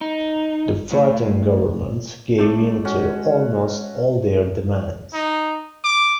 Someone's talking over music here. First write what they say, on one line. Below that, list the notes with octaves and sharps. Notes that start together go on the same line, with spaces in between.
The frightened government gave in to almost all their demands.
D#4
A2
G#3 A3 C4 D5
C#4 F#4
D#4
D6